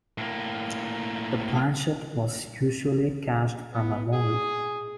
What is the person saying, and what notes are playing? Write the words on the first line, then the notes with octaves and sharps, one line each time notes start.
The planchet was usually cast from a mold.
A2 A#3
B3
G#4